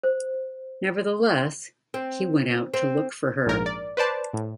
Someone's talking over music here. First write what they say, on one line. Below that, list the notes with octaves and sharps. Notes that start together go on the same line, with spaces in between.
Nevertheless, he went out to look for her.
C5
C4
C4
A#1 G#2 A#4
D5
B4 C5 D5 A5
A2